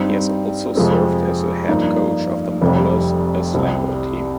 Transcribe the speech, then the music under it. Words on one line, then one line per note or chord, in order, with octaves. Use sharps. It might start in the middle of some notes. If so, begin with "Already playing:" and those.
He has also served as the head coach of the Maulers, a Slamball team.
Already playing: G2 G3 C4 D#4
F2 C3 F3 G#3 C4
G2 F3 A#3 D#4
F1 F2 C3 G3
C2 C3 G3 C4